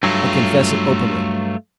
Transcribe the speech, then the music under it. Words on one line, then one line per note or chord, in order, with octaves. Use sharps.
I confess it openly.
G2 F#3 A3 F4